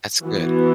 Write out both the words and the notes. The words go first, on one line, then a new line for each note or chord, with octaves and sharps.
That's good.
E3 B3 F#4